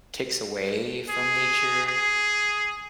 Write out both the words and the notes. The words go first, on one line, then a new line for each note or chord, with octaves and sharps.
takes away from nature?
G#4
G#4